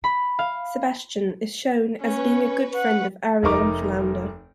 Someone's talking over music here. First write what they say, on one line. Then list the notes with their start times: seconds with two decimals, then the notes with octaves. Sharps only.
Sebastian is shown as being a good friend of Ariel and Flounder.
0.04 B5
0.39 F5
2.02 C#4 B4 C#6
2.74 F#5
3.43 F1 D#4 A#4 D6